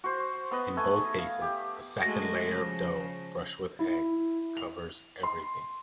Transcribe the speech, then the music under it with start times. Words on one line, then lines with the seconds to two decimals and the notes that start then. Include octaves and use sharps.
In both cases a second layer of dough brushed with eggs covers everything.
0.04 F#4 C5
0.51 B3 B4 D#5
0.77 A3 G#5
1.18 F5
1.42 G4
2.02 G#3 A3 F#4 A#6
2.49 C#3 F3
3.79 E4
4.57 F7
5.23 C6